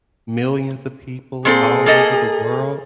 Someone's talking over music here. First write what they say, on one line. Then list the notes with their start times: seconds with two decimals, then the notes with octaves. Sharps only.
Millions of people all over the world
1.45 A#2 C4 G#4 A4
1.86 A#3 A4 D#5